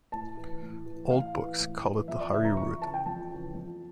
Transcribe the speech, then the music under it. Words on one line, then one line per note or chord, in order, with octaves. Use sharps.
Old books call it the Hari Rud.
A2 A5
E3
A2
E3
A2 F5
E3
A2
E3
F2 E5
D5
C#3 E3 E5
A#5
F2 C#6
C#3 E3 A5
G5
F2 A5
C#3 E3
F2